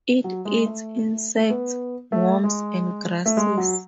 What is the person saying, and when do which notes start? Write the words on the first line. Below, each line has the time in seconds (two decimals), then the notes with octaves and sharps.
It eats insects, worms and grasses.
0.24 F#3
0.45 G#3
0.66 A3
1.37 A3
1.50 B3
2.12 A3
2.44 G#3
3.26 A3
3.37 G#3
3.58 F#3